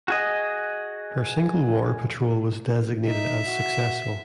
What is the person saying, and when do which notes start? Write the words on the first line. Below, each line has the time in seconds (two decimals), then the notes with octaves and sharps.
Her single war patrol was designated as "successful".
0.08 F#4 G#4 D#5
3.06 D#4 E5
3.46 F#4